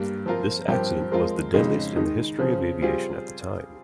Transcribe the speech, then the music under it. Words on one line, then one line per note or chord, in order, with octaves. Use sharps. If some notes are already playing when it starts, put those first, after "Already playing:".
This accident was the deadliest in the history of aviation at the time.
Already playing: G2 G3 A#3
F3 C4 F4 A#4
G2 F3 C4 G4 A#4
F3 G#3 C4 F4 A#4
F2 C#3 G#3 D#4
D#3 G#3 D#4
C#3 F3 C4
G3 C4 F4 G#4